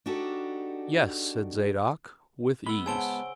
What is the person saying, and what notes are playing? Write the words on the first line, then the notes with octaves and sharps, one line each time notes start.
"Yes," said Zadok, "with ease."
D4 D#4 F#4 G4 A4
G#3 B3 B5 E6 G7
C#3 G#4 C5 F#5 G#5 A5 D7 G7